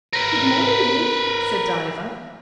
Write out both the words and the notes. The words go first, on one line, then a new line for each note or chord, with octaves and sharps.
"Good morning," said Diva.
A#4 B4